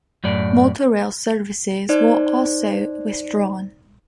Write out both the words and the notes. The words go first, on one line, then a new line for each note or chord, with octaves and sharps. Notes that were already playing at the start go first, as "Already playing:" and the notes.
Motorail services were also withdrawn.
F#2 A2 D5
D#4 C5 D5